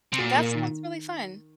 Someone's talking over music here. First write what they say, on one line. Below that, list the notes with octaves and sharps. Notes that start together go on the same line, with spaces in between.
That sounds really fun.
C3
A#2 F#4
A#3
D#3